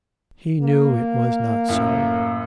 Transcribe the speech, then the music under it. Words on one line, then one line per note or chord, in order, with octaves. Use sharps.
He knew it was not so.
A#3
F#2 A2